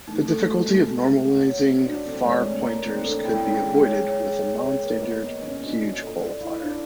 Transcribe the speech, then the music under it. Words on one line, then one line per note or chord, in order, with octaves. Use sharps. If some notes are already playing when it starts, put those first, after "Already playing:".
The difficulty of normalizing far pointers could be avoided with the non-standard huge qualifier.
A3 D#4
A3 A4
G#3 F#4
A3 D#4
F#4
A4
F#5
C#5
C#5
D4 F#4
C4 A4
G#3 C#5
A3 D5
A#3 A#5
C4 D5
D4 A4
E4 G5
C#4 G5
G#3 G#4
C#5
C#5
G#4
C#5
C#5
A#3 B4
B3 D#5
B4
C#4 D#5
D4 F#4
F4 F#4
A4
F4 D5
E4 F5
D4 F5